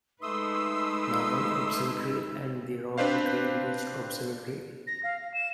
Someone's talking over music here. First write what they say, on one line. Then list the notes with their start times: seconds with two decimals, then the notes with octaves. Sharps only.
Naval Observatory and the Royal Greenwich Observatory.
0.22 G#3 A3 D#4 B4 C6 D#6 E6
2.98 C4 D4 B4 C5 F5
4.87 A#6
5.03 F5
5.21 F5
5.34 E7